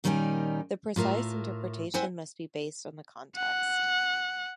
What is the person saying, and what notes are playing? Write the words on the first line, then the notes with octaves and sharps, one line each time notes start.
The precise interpretation must be based on the context.
A#2 D#3 G3 C#4 D#4 G#5
A2 F4 A#4 E5
C4 E4 C5 F#5 G#5
F#5